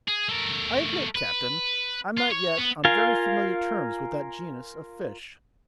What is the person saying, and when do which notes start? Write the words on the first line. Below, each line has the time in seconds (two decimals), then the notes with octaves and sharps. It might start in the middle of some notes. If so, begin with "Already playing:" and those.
"I admit, captain, I'm not yet on very familiar terms with that genus of fish."
0.08 G#4
0.28 A3 A#4
1.15 B4
2.17 F4
2.31 C#5
2.57 B3
2.85 F4 A#4 F5 G#5